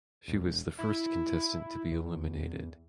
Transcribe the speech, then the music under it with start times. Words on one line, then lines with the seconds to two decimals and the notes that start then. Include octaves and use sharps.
She was the first contestant to be eliminated.
0.28 E1
0.79 E4
1.91 E2